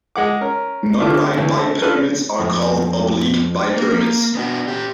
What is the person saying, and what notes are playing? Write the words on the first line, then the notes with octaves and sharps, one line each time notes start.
Nonright bipyramids are called oblique bipyramids.
G#3 F#5 D6
C#4 A#4
D2 G2 A3 F4 D6
D2 E3
A3
D4 F4 A4 B4
F2
A#3
B3 D4 F#4
C#4 G4